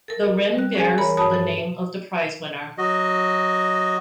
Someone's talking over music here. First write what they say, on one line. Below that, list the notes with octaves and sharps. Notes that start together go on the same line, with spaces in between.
The rim bears the name of the prizewinner.
A4 A#4
G3 F#6
C#4 G#4 G#5
E3 A#4 C#5 A#5 B5
G2 F#4 C#5 A5 B5 D#6
F#4 A4
F#3 F#4 D#5